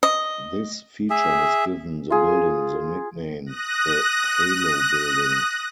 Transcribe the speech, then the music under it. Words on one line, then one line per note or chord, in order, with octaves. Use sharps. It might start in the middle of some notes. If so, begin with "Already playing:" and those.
This feature has given the building the nickname the "Halo Building".
D#5
G#4 E5
F4 G#4
D#6 F#6 A#6